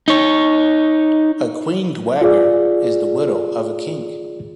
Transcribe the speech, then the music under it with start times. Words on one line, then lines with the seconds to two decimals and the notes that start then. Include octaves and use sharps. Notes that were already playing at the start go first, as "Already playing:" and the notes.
A queen dowager is the widow of a king.
0.08 D#4 C#5
2.21 F4 G#4 D5